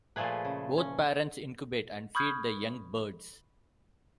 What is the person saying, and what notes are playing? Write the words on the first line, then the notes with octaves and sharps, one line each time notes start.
Both parents incubate and feed the young birds.
A#2 F3 A3 G#4 B4
C#3
C#4
B5 C#6 D#6 F6 G6 G#6